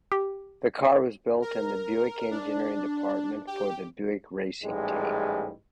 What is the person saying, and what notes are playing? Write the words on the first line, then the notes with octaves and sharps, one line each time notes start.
The car was built in the Buick Engineering department for the Buick Racing Team.
G4
A#4
D4
G4
A1 G#2 G3 G#3